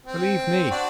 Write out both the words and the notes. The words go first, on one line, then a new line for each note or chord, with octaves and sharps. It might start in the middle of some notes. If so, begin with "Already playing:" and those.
Believe me!
C4
D4 F#4